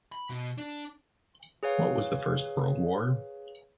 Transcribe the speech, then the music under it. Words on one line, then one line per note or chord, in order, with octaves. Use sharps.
What was the First World War?
B5
B2
D4
G#4 B4 C#5 F5